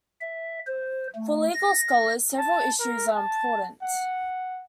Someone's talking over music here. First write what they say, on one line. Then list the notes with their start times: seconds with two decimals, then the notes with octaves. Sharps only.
For legal scholars, several issues are important.
0.21 E5
0.66 C5
1.15 A3
1.54 A#6
2.39 A5
2.80 A#4
3.16 A5
3.83 F#5